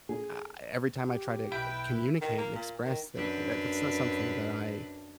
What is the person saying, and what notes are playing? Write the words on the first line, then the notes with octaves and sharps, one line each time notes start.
uh, every time I try to, uh, communicate and express that, that that's not something that I
G#4
G4
B1 E4 B4 G5
D#3
A#3
A#2
D#3
F#2 D4 B4